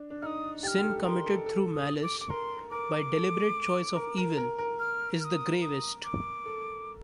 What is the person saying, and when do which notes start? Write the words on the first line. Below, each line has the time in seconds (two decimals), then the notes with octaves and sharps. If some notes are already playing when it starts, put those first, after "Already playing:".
Sin committed through malice, by deliberate choice of evil, is the gravest.
Already playing: D4
0.10 D4
0.22 D#4 D#6 F6
0.63 G4 A6
0.67 F6
0.78 G4
0.84 A4
1.05 A#4 C6
1.26 A4
1.46 A4
1.74 D#6
2.02 D6
2.20 D6
2.29 A#4 C6
2.57 A#4
2.71 A#4 D6
3.13 A4
3.96 A#4
4.17 A#4
4.37 A#4
4.58 A#4
4.79 F6
5.20 F6
5.24 D#6
5.62 D#6
6.04 D6
6.46 A4